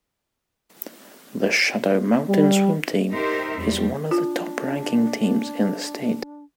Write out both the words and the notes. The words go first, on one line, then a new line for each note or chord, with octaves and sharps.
The Shadow Mountain swim team is one of the top-ranking teams in the state.
G3
D#4 G4 A#4 C5 E5
E2 G3 G4
D4 F4